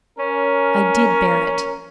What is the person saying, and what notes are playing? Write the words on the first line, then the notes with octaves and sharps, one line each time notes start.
I did bear it.
C#4 A#4